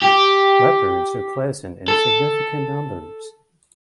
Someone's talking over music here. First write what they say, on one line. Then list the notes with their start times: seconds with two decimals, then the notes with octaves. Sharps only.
Leopards are present in significant numbers.
0.03 G4
1.88 A4